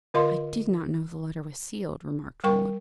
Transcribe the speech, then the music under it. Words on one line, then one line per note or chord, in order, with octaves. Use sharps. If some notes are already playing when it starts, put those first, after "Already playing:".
"I did not know the letter was sealed," remarked Roland.
D3 F4 A#4 D#5 F5 C6
G3 A#4 G5 C#6